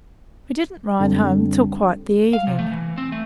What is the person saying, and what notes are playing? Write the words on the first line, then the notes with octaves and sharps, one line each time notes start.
We didn't ride home till quite the evening.
F#2 D3 G3 C4 D4
F5
C3
A3
E3
C4
A3